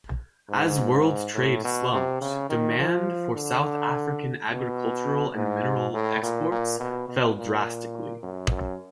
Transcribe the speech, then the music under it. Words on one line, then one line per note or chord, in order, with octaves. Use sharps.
As world trade slumped, demand for South African agricultural and mineral exports fell drastically.
G#2
A2
B2
C3
C#3
D#3
F3
D3
B2
G#2
A2
A#2
A#2
B2
B2
A#2
F#2
F#2